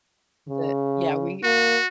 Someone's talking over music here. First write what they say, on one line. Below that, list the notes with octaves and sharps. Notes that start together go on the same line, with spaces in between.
Th Yeah, we
C#3
A#3 F#4